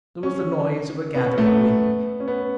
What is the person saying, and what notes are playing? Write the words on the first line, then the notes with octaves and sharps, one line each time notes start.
There was the noise of a gathering wind.
C#4
B3
C#4
A3
B3
C#4
B3